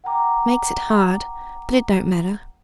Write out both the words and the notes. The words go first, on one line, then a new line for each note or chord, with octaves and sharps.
Makes it hard; but it don't matter.'
F#5 G5 A#5 D6